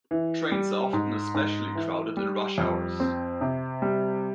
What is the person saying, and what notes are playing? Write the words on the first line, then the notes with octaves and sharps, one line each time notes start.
Trains are often especially crowded in rush hours.
E3
G3
G#2
G#2
E3
G3
F2
C4
C3
G3